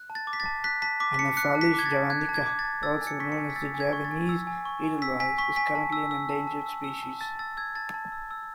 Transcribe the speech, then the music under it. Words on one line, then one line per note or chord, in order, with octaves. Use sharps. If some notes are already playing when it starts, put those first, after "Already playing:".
"Anaphalis javanica", also known as the Javanese Edelweiss, is currently an endangered species.
Already playing: F#6
A5
A6
D6
B6
A6
A5
F#6 B6
A5 B6
D6 B6
B6
A5 C#7
F#6 C#7
A5
B6
D6 G#6
A6
A5
F#6 G#6
A5
G#6
D6
A6
A5
E6 A6
G#5
C#7
C#6 B6
C#7
G#5
B6
E6 A6
G#5
G#6
C#6
A6
G#5
E6
G#5
C#6
G#5
E6 B6
G#5 B6
C#6 B6
G#5 B6
A5
E6
E6
A5
A5
E6
E6
A5
A5 A6
E6 A6
E6 G#6
A5 A6
A5
E6
E6